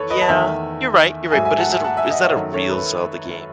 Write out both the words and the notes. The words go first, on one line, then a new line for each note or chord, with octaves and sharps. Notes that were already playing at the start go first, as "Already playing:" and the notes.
Yeah, you're right, you're right, but is it a r is that a real Zelda game?
Already playing: E2 D#3 A4 B4 C#5
B4 D#5
A5
E2 D#3 A3 E5 G#5
G#2 F#3 A3 E5 G#5
E5 G#5
F#5 A5
E5 G#5
F#5 A5
E5 G#5
D#5 F#5
C#5 E5
F#2 D#3 F#3 A3
A4 C#5
B4